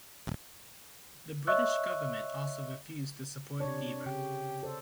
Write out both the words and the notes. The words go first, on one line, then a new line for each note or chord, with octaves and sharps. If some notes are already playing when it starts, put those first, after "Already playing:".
The British government also refused to support Deva.
C#5 D#5 E5 C#6 E6 F#6
C3 D4 C#5
C#3 G4
A4 C5 D5